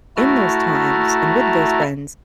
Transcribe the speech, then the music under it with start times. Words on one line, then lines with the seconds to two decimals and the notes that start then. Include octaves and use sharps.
in those times, and with those friends,
0.17 A3 E4 F#4 A5 A#5 F6